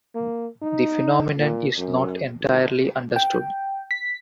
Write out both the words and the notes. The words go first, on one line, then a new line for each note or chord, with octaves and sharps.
The phenomenon is not entirely understood.
A#3
D#4
A#2
F#2
G#1
G5
B6